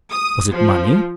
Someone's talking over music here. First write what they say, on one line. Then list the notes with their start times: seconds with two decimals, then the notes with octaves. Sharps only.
Was it money?
0.11 D#6
0.52 F3